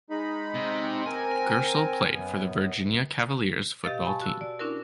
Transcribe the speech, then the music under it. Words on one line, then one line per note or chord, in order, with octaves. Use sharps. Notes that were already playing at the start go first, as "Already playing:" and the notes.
Gerstle played for the Virginia Cavaliers football team.
G#3 D#4 B5
C3
C4 A#4 G#5
F#2 B3
B2 G4 D#5 F5 A6
G#5 A5 B5 C#6
F#4 E6
D5
C#4 D4 E4 F#4 A#4